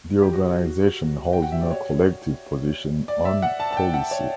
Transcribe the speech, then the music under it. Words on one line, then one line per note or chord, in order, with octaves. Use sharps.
The organisation holds no collective position on policy.
G4
F#4
G5
F#5
E5
D5
C#5
D5
E5
F#5
A5
A5
G5
F#5
C#5